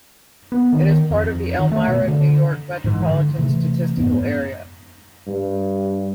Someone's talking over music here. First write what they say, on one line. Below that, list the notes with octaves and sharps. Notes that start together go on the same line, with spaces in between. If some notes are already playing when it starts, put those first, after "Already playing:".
It is part of the Elmira, New York Metropolitan Statistical Area.
B3
D#3
F2
D#3
A3
B2
D3
G#2 E3
D3
C3 E3 A3
F2 G#2 B3
G2